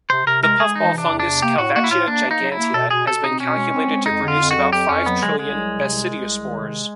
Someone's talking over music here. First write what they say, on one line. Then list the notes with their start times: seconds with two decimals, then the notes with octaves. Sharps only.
The puffball fungus "Calvatia gigantea" has been calculated to produce about five trillion basidiospores.
0.10 C3 C5
0.26 C3 A#4
0.43 G#3 A#4
0.59 G#3 G#4
0.75 E3 D#4
0.92 C3
0.98 D4
1.09 E2
1.20 D4
1.25 C3
1.42 A#3 G4
1.58 A2 F#4
1.75 A#3 F#4
1.84 E4
1.91 A2 F4
2.08 A#3 D4
2.25 A#3
2.31 D#4
2.41 F#3
2.52 E4
2.58 A#3
2.74 B2 A4
2.91 B2 G#4
3.07 B2 A4
3.24 C4 D#4
3.40 B2 C#4
3.57 G#3
3.74 C4
3.89 G#3
4.06 F2 D#4
4.23 D3 F4
4.40 F2
4.51 F#4
4.56 F#3
4.73 F2 G4
4.89 F2 C#4
5.05 F#3 B3
5.23 D3 G#3
5.39 C2 G#3
5.56 F#3
5.71 C3
5.88 C2
6.04 C2
6.21 C2
6.37 D#3
6.54 C3